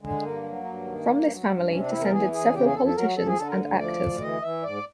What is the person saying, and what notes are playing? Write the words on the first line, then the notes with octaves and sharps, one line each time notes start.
From this family descended several politicians and actors.
D3 G#3
G2 A#3
F#3
G2
D#3
G2
F#3
G2
C3 C#4
D4
E2 E4
A#4
E3 G#4
E2 G#4
C#3 G4
G#4
F2 A4
A4
F#3 A#4
F2 A4
G#4
D3 A4
A#4
D2
F3 D5
D2
E3 D#5
E3 E5
G#2 D5